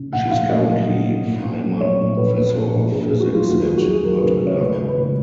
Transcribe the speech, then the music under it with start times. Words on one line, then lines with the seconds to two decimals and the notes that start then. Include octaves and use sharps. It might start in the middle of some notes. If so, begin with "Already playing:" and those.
She is currently Freimann Professor of Physics at Notre Dame.
Already playing: C#3
0.13 A#1 F#5
0.31 A#1 F5
0.50 A#2 D#5
0.69 F#3
0.87 A#2
1.06 A#2
1.24 A#2
1.43 A#1
1.62 F#3
1.81 F#3 C#5
1.99 A#1
2.17 A#2 B4
2.36 A#2 B4
2.55 A#1
2.74 A#1
2.92 A#1 G#4
3.06 G#4
3.11 A#1
3.20 F#4
3.30 F#3 F4
3.48 D#2 F#4
3.62 G#4
3.67 F#3
3.76 F#4
3.86 F#3 G#4
4.04 F#3 A#4
4.18 B4
4.23 C#3
4.41 C#3
4.47 C#5
4.61 C#2 B4
4.79 G#3
4.88 B4
4.98 C#2